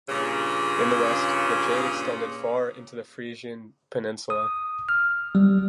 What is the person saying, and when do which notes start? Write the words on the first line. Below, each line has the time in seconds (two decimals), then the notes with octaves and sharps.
In the west, the Jade extended far into the Frisian peninsula.
0.09 G2 A#2 C#3
4.30 D#6
4.89 F6
5.35 G3